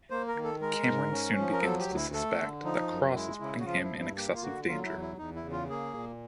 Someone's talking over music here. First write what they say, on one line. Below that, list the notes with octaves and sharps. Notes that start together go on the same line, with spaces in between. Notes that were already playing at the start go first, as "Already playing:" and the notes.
Cameron soon begins to suspect that Cross is putting him in excessive danger.
A#3 C5
A#4
D#3
A4
G#3 A#4
G#2
C#4
F3
A#4
F#3 A4
G4
D2
E4
A3 A4
D3
F3 D#4
F#2
G#3 E4
C#3 E4
F#4
F3 F4
E4
G2
E4
A#3 G4
F4
D3 F#4
F#3 F4
E4
E2
E4
E2 D#4
E4
C#3
F4
A#3 G#4
A#2